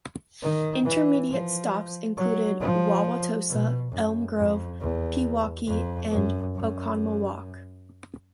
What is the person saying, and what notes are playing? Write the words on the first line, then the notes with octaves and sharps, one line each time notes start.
Intermediate stops included Wauwatosa, Elm Grove, Pewaukee, and Oconomowoc.
D#3
E3
F3
F#3
F3
B2
F#2
F2
E2
F2
F#2
F#2